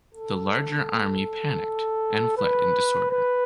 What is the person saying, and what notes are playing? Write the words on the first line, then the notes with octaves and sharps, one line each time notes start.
The larger army panicked and fled in disorder.
A4
B4
B4